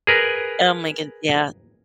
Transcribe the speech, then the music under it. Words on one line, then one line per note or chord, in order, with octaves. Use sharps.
Oh my goodne yeah.
G#4 A#4 B4